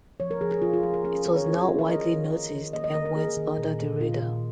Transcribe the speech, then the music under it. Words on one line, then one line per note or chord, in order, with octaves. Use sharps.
It was not widely noticed and went under the radar.
F3 C#5
A#4
F3 G#4
G#4
F3 F4
F4
F3 G#4
A#4
C#4 G#4
C#4 A#4
C#5
C#4 F4
F4
C#4 G#4
A#4
D#3 D#5
D#3
D#3
D#3
A#3 D#5
D#5
A#3 A#4
A#4
A#3 G#4
D#3
A#2
A#2
A#2 F4
A#2